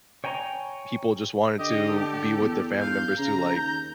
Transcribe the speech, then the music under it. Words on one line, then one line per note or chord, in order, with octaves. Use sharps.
people just wanted to be with their family members to, like
C#5 G5 G#5 A#5
D3 G4 D#5
A4
E2
F5 G6
C#3 A#5
D#2 G6